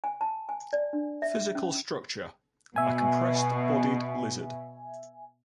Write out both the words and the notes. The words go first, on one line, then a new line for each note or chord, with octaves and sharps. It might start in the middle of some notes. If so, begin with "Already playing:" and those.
Physical Structure: A compressed bodied lizard.
G#5
A5
G#5
D5
D4
E5
C#4
B2 E5 G#5